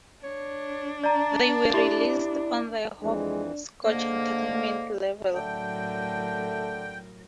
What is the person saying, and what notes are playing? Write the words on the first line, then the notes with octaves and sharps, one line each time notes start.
They were released on the Hopscotch Entertainment label.
D4 C#5
D5 A5 A#5
E4 G4 D5
F2 E3 G#3 D4
G#2 D3 A#3
A2 D3 F#3 A3 A#4 G5